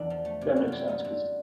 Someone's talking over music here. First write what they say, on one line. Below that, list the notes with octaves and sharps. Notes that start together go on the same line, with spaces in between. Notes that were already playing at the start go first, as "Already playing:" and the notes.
That makes sense 'cause
Already playing: E2 D3 B3 D4
F3
A3
C3
F#2 F#4
G3 F4
E4
B3 D#4 F4
D3